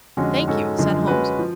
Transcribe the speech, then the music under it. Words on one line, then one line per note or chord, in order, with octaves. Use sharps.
"Thank you," said Holmes.
F2 D3 G#3 C#4 F#4
G#2 G#3 C#4 F#4 A4
F#2 D3 F3 G#3
G#3 C#4 F#4 B4
F3